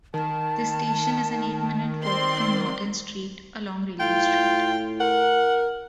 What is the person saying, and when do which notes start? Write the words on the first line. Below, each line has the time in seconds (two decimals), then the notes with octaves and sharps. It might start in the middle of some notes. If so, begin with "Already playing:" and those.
The station is an eight-minute walk from Norton Street, along Railway Street.
0.14 D#3 A5
2.04 C4 D5 C6
4.00 A2 F4 G5
5.00 A#4 F#5